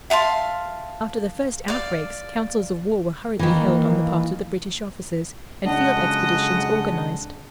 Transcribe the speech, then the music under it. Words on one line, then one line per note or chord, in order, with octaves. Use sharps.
After the first outbreaks, councils of war were hurriedly held on the part of the British officers, and field expeditions organized.
E5 F5 A5 C6
D5 F5
D#3 E3 A#3
F2 C#3 F#3 G#3 D4 D#5 F#5